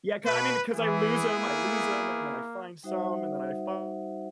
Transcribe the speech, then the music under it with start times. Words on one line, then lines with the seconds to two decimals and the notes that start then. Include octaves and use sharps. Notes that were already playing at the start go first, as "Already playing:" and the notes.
Yeah, 'ca I mean, 'cause I lose 'em I lose 'em, and then I find some, and then I fi
0.23 B2 A#3 B4
0.72 E3 B3 E4 G#4
1.35 A#3
2.83 G3 D#4 F#4 C5 E5 F#5